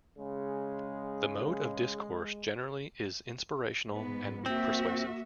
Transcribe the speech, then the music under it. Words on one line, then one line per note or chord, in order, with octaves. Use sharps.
The mode of discourse generally is inspirational and persuasive.
C#3 G#3
G#2 B3
A#3 C4 F#4 E5